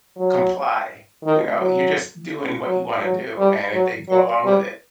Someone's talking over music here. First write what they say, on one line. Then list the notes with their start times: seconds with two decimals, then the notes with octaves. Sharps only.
comply, you know, you're just doing what you want to do, and if they go along with it,
0.17 F#3
1.24 D#3
1.60 F#3
2.66 F#3
3.02 F#3
3.38 G3
3.73 F#3
4.09 F#3
4.44 G3